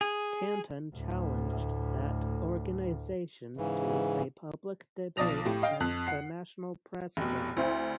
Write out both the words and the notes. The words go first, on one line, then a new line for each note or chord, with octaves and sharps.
Tanton challenged that organization to a public debate at the National Press Club.
G#4
D2 A2
G#2 C#3 E3
B1 F3 D5 D#6 A#6 F7
A2 G4
D#5 F5 G5
F2 F#6
F#5 C7
F1 B2
D2 C4 E4 C5